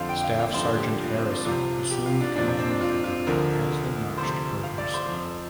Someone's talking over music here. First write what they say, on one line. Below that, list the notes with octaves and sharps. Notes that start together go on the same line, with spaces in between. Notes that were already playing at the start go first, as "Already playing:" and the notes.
Staff Sergeant Harrison assumed command of the group as they marched further south.
Already playing: F2 D3 F3 C5 F5
G5
F5
F5
G2 D3 F3 C5
G4
F4
C4
D4
C2 C3 F3 F4
G4
F4
D4
F2 C3 F3 D4
D4
C4
D4
F4
F4
D2 D3 F3 A#4
D2 C3 F3 C5
F5
D5
C5
F2 F3